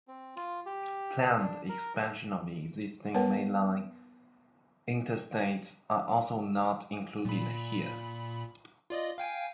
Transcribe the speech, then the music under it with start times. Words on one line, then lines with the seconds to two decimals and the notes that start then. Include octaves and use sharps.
Planned expansion of existing mainline interstates are also not included here.
0.08 C4
0.36 F4
0.66 G4
1.39 D4
1.69 A#4
3.14 B3 A#4 B4 C#5 F#5 A5
7.25 A#2 B5
8.90 F4 D5 D#5
9.18 F5 G5 G#5